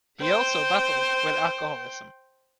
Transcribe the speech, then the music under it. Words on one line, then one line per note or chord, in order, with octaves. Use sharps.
He also battled with alcoholism.
C5 G5